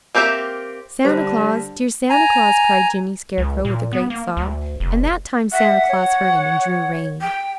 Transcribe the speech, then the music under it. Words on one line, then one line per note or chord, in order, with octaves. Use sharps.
"Santa Claus! dear Santa Claus!" cried Jimmy Scarecrow with a great sob, and that time Santa Claus heard him and drew rein.
A#3 C4 G4 A#4 E5
D3 G3 C5
G#5 A#5
C#2
A#2
B3
A#3
D2
F1
E5 F#5
C#5
G5